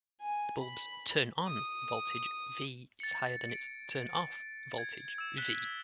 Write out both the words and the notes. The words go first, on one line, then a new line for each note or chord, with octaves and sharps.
The bulb's "turn on" voltage "V" is higher than its "turn off" voltage "V".
G#5
B5
D#6
A6 C#7
D7
G#6
E6 E7
F#6 B6 G7